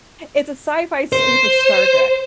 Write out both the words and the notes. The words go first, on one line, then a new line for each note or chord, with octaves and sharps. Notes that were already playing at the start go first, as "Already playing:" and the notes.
it's a sci-fi spoof of Star Trek.
C5